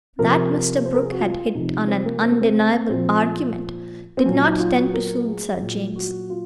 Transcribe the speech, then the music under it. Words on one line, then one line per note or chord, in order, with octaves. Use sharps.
That Mr. Brooke had hit on an undeniable argument, did not tend to soothe Sir James.
C3 F3 A#4
A#4
C5
A#4
G#4
F#4
F4
C3 F3 D#4
C4
A#3
C4
A#3
C4
A#2 F3 C4
C4
A#2 F#3 C#4
D#4
F4
F#4
A#4
G#4
A#2 F#3
F#4
F4